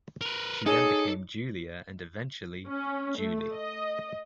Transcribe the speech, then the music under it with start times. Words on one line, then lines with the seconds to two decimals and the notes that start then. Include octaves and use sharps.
She then became "Julia" and eventually "Julie".
0.21 A#4 B4
0.66 D#4 G#4 A4 C#5
2.67 C#4
3.19 A3
3.52 D#5